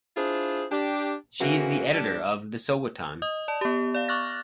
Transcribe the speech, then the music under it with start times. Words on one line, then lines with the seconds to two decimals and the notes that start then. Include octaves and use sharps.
She is editor of "The Sowetan".
0.17 D4 E4 F4 G#4 C5
0.71 D4 G4
1.40 C#3 E3 A#3 C4 F#4
1.93 G3 D4
3.22 D#5 D#6
3.48 D5 A5
3.61 B3 G4
3.94 D5 F5
4.08 C#6 D6 F6 F#6 A6 A#6